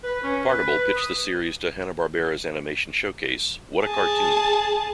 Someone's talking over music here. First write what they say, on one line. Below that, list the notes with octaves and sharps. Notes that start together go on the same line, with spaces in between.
Partible pitched the series to Hanna-Barbera's animation showcase What a Cartoon!
B4
C#4
B4
D#6
G#4 A5